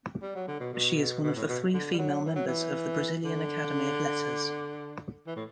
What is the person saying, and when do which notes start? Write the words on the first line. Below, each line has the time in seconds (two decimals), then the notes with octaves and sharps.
She is one of the three female members of the Brazilian Academy of Letters.
0.22 G3
0.35 F#3
0.48 D3
0.60 B2
0.73 B2
1.24 B2
1.36 A2
1.49 B2
1.74 D3
1.93 G3
1.98 F#3
2.25 E3
2.36 F#3
2.48 E3
3.25 D3
5.27 E3
5.36 A2